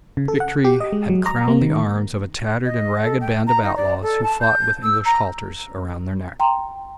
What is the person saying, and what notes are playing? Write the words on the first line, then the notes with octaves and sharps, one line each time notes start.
Victory had crowned the arms of a tattered and ragged band of outlaws who fought with English halters around their necks.
C#3
A4
F#5
G4
D#5
G#3
F#3
A#5
A#3
D#3
D#5
A4
G5
A#5
D#4
D5
A4
A5
G6
E6
A#5
G5 A#5 C6